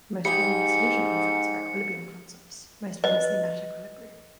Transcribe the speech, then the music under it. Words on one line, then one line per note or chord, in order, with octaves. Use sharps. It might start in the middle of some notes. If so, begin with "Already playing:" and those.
The most commonly used solution concepts are equilibrium concepts, most famously Nash equilibrium.
G#2 G4 G#4 B5 C#7
B4 D#5